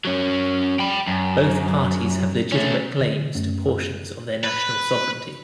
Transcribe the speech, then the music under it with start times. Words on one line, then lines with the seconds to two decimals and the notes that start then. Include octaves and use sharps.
Both parties have legitimate claims to portions of their national sovereignty.
0.05 F#3 C#4
0.79 G5 B5
1.07 F#2
2.52 A3 C#4
3.01 D3
3.35 F#2 A3 C#4
4.44 B4